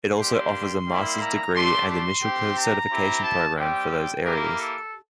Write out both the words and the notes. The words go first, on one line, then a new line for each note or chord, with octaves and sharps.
It also offers a master's degree and initial certification program for those areas.
G3 A#3 D4 G4 C6
G3 A#3 E4
A#5
A3 D4 G4 C6
C6
C4 G4
A#5
C4 E4 G4
A5
G3 C4 G4 G5
G5
A#3 E4 G4 A#4
A4